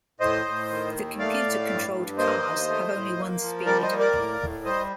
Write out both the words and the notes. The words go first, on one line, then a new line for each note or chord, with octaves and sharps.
The computer-controlled cars have only one speed.
A2 C5 D#5
A2
D#3
D#2
A3 D5 F5
A2
G2
G2
A#3 C5 D#5
D#2
A3
A2
A#3
F3
G3 A#4 D5
C5 D#5
A#3
A#4 D5
A2
A2
G3 C5 D#5